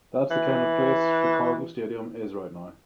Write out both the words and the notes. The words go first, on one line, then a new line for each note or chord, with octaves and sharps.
That's the kind of place Chicago Stadium is right now!
E3